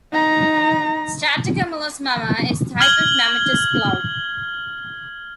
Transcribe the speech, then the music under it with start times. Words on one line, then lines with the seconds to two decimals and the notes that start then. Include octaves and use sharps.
Stratocumulus Mamma is a type of mammatus cloud.
0.12 D#4 A#5
2.80 F6 G#6 F#7 G7